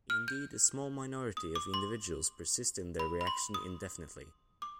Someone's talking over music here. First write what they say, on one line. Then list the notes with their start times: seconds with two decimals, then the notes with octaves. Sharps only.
Indeed a small minority of individuals persist in their reaction indefinitely.
0.10 F6
0.28 G6
1.37 D#6
1.56 D6
1.74 C6
2.99 B5
3.21 B5
3.27 C6
3.54 D#6
4.62 D6